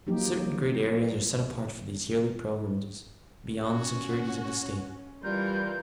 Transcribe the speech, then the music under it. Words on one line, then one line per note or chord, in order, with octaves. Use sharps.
Certain great areas are set apart for these yearly pilgrimages beyond the securities of the State.
F3 F#3 A#3 D#4 G4
C#4 F#4
E3 G3 F4 A#4 G6